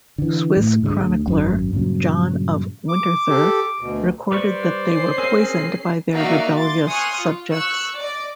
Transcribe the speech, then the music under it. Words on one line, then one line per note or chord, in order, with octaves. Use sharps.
Swiss chronicler John of Winterthur recorded that they were poisoned by their rebellious subjects.
D3 E3
A2
G#2 D3 F3 G#3
D2
G#1 F#2
G2 A#2 C#3 F#3
D6
G4 A4
D2 B2
G3 B4 C5 D5 C#6
C#4 C7
C4 G#4 A#4
A#3 D#4 F#4 D5 E5 F5
C6 D6 A6
G#5 C6 C#6 D#6 F6 F#6
F4
C#6 E6 F#6
D5 D#5 D6